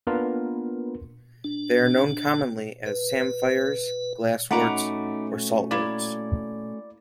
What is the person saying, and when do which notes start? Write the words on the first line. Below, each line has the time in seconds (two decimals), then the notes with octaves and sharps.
They are known commonly as samphires, glassworts, or saltworts.
0.07 A#3 B3 D4 F4 A#4 B4
1.44 D4
2.86 B4
4.51 A3 C#4 D#4 F#4 F#5 A#5 B5 D6
5.71 A#3 E4 D5